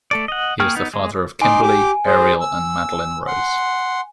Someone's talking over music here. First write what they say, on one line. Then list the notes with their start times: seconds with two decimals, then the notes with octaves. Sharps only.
He is the father of Kimberly, Ariel and Madeline Rose.
0.11 A3 A4 D5
0.28 D#5 F#5
0.60 A#3 G#4 G5 C#6 F6
0.75 B3 D#4
0.94 G#3
1.42 D#4 G#5 C6 D6
1.62 G4 D6
2.06 G#4 C5
2.41 E6
3.27 F#5 C6